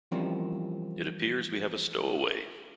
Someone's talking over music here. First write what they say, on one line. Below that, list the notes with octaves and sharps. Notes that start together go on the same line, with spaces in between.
It appears we have a stowaway.
E3 F3 G3 A#3 C4 C#4